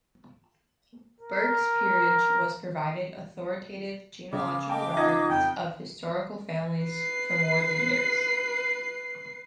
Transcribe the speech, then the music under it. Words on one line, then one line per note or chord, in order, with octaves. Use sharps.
Burke's Peerage has provided authoritative genealogical records of historical families for more than years.
A#4
C#3 D6
D#5 G5 A5 D6
D#4 F4 D#5 F#5 G#6
F2 G5
B4 C7